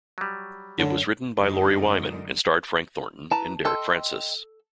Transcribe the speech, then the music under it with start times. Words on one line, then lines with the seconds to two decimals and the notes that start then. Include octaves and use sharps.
It was written by Lawrie Wyman and starred Frank Thornton and Derek Francis.
0.18 F#3 G3
0.79 F#2 D3
1.39 F#2 D3 G#3 D#4 A#4 D5
3.31 E4 B4 A5 A#5
3.65 A4 D#5 G5 C6